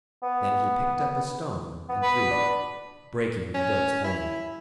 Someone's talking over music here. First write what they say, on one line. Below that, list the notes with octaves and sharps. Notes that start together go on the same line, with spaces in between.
Then he picked up a stone and threw it, breaking the Goat's horn.
B3
B3
B4
D4
C#4
E4